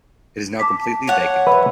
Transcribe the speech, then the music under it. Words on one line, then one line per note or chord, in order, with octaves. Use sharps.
It is now completely vacant.
A5 D6 B6
C#5 F#5
B4 E5